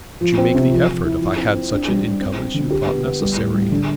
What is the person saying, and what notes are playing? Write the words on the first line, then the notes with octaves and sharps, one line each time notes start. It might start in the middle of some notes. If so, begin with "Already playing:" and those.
Would you make the effort if I had such an income as you thought necessary?
F3
C4
C3
F3
F3
E4
F3
C4
C4
D4
G3
G3
C4
C4
D3
G4
B3
B3
G3
A2
G3
D3